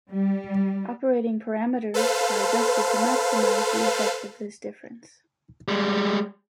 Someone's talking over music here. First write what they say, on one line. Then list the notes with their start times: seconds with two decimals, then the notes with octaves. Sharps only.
Operating parameters are adjusted to maximize the effect of this difference.
0.11 G3
1.94 A4 B4 C5 F5
5.68 G3 G#3